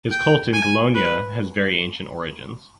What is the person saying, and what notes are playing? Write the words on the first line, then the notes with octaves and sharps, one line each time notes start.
His cult in Bologna has very ancient origins.
G5
G#5
B4